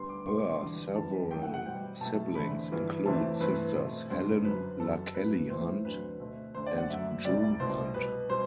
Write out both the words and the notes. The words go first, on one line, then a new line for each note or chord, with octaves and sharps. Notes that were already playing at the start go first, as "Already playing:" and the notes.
Her several siblings include sisters Helen LaKelly Hunt and June Hunt.
Already playing: D2 D3 G3 B3 C6
D6
B2 G3 B3 C6
D6
C6
E2 D3 G3 B3
F#2 E3 G3 B3 A5
F#2 E3 A3 G5
F#5
F#5
B2 G3 C4 G5
B2 F#3 A3 A5
E2 D3 A3 C4 B5
G2 E3 B3
E2 C3 E3 A3 C4 A5
G2 E3 A3 C4 B4
B2 A3 C4
G2 D3 G3 C4 C5
F#2 F#3 C4 B4
F#2 F#3 C4 A4
A2 F#3 B3 B4
A2 E3 A3 C4 C5
D2 D3 F#3 C4 B4
B2 A3 C4
D2 D3 A3 C5
D5
F#5
F#2 F#3 A3 C4 E5
C2 C3 G3 D5
C2 B2 A3 C5
B2 G3 B3 B4
B2 G3 C4 C5